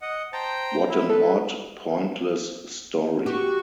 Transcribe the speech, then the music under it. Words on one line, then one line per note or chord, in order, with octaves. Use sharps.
What an odd, pointless story!
D#5 F#5
C5 G5 A5 A#5
E4
A4 B4
F#4 G4 C#6